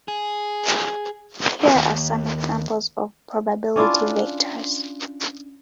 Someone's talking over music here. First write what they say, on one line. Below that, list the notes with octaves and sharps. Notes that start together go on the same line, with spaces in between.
Here are some examples of probability vectors.
G#4
D#2
C#4 D4 E4 F4